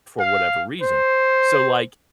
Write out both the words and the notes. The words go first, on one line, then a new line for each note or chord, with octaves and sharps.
for whatever reason. So, like,
F5
C5